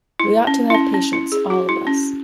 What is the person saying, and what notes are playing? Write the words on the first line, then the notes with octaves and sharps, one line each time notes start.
We ought to have patience, all of us.
E4
C#4
E4
C#4
C#4
E4
G#4
F#4
E4
C#4